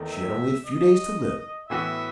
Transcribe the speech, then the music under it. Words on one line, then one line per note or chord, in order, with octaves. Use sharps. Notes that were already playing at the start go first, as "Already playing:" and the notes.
She had only a few days to live.
Already playing: E2 D#3 A3
E5
D#5
A2 E3 B3 F#4 E5